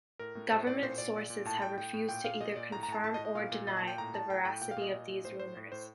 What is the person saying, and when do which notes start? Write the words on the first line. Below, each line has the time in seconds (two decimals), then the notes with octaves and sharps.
Government sources have refused to either confirm or deny the veracity of these rumours.
0.19 A2 A#4
0.35 A2
0.51 A2 C5
0.67 A2 D5
0.82 A#2 C5
0.98 A#2 D5
1.15 A#2
1.30 A#2
1.45 A2 A5
1.62 A2 G5
1.77 A2 G5
1.94 A2
2.09 A#2 G5
2.24 A#2 F5
2.40 A#2 D#5
2.56 A#2 D5
2.72 A2 A#5
2.83 A#5
2.88 A2 A5
3.03 A2 A5
3.14 D#5
3.19 A2
3.25 D#5
3.35 A#2 F5
3.52 A#2
3.67 A#2 D#5
3.77 A5
3.82 A#2
3.88 G5
3.98 A2 A#5
4.14 A2 A5
4.30 A2 G5
4.45 A2 G5
4.61 A#2 G5
4.71 F5
4.76 A#2
4.82 D#5
4.93 A#2
5.08 A#2
5.25 A2 C5
5.40 A2 C5
5.56 A2
5.72 A2 C5